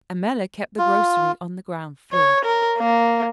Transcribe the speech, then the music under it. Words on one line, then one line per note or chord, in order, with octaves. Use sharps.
Ammella kept the grocery on the ground floor.
F4
C#5
A#4
A#3